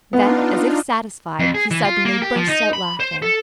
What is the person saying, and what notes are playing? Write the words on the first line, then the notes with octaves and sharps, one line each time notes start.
Then, as if satisfied, he suddenly burst out laughing.
B3 D4 D#4 F4
F2
G#4
E3
F4
A#3
G4
F3
D#4
B5
C5
A4